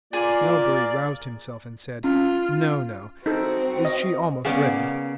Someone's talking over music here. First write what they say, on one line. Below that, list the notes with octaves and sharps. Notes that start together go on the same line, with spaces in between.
Melbury roused himself and said, "No, no. Is she almost ready?"
A#3 F4 G#4 D5
C#4 F4
C4 D#4 F#4 A4
D#5
C#3 A#3 B3 D5